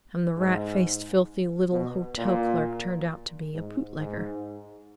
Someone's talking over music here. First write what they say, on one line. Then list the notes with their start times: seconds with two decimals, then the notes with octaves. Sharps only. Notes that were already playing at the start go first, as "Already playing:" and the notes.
And the rat-faced, filthy little hotel clerk turned out to be a bootlegger....
0.37 G#2
1.72 B2
2.18 A#2
3.53 G#2
3.98 G#2